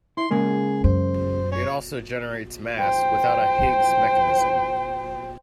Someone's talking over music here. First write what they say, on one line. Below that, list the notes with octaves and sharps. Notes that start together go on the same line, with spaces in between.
It also generates mass without a Higgs mechanism.
E4 C6
C#3 G#3 A#3 G#4
F#2 C5
C#5
C5 G5